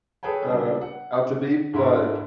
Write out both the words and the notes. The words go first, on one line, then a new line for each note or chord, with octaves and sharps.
uh, out to be, but
G#4 A4 B4 C#5 G5 G#5
C#3 G3 D4
F#5
G#2 D3 E4